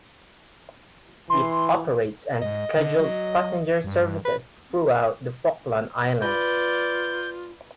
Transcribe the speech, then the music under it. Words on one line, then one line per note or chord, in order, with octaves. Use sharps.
It operates unscheduled passenger services throughout the Falkland Islands.
E3 C6
G#2 D#5
D3
F#3
G2
B4
F4 B4 D5 G6